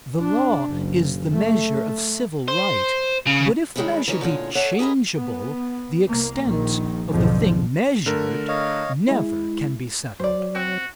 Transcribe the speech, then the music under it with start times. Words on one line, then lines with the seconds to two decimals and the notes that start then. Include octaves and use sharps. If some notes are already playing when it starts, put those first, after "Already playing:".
The law is the measure of civil right; but if the measure be changeable, the extent of the thing measured never can be settled.
0.20 D4
0.68 F#1
1.33 A3
2.48 C5
3.27 C#3
3.76 D#3 G3 G#3 C4 C#4 E4
4.08 E3 C#4 D#4 C#5
4.21 A#2 D3 G#3 C#4
4.55 A4 C#5 D5 E5 F#5
4.79 G4 G#4 A#4 B4 D#5
5.14 B3
6.07 C2 A#3
6.44 A#1 D#3
7.07 B1 F2 G#2 D3 F3
8.06 D3 A3 A#4
8.48 C#5 D#5 F5
9.08 G#3 E4
10.20 F#3 C5 D5
10.55 C4 F#4